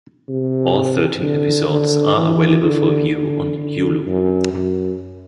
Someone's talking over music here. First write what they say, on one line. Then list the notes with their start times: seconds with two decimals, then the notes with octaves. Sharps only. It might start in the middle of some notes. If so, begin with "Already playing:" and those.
All thirteen episodes are available for view on Hulu.
0.28 C3
1.22 D3
1.69 D3
2.16 E3
2.63 D3
3.12 D3
3.58 D3
4.06 F#2
4.53 F#2